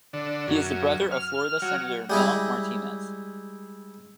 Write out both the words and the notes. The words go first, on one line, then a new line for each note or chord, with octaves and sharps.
He is the brother of Florida Senator Mel Martinez.
D3
F#2
F6
F#3
G3 G#3 E4